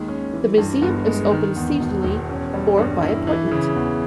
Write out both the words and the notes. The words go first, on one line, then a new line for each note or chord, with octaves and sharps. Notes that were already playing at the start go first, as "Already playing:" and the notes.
The museum is open seasonally, or by appointment.
Already playing: D#2 D#3 G#3
C#4
E3
G2
G1
G#3
D#3
E2
E1
E1
C#4
G3
G2
E4
E3
C#3
E2